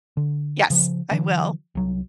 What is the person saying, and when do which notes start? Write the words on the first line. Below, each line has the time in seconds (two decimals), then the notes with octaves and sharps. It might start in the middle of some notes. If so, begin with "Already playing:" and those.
Yes, I will.
0.17 D3
0.70 C#3 F3
1.11 D3 E3 F#3
1.75 C2 F#3